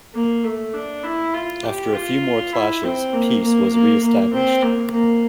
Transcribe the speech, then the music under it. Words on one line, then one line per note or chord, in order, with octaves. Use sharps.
After a few more clashes, peace was reestablished.
A#3
A3
D4
E4
F4
G4
F4
E4
C4
A#3
A#3
A#3
A#3
C4
A#3
A#3